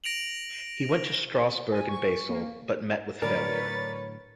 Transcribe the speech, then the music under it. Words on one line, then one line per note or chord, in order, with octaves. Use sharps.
He went to Strasburg and Basel, but met with failure.
A#6 D7 F7 F#7
G#5
C#6
A#3
A2 D3 F#3 D4 A#4 B4 C#5 A6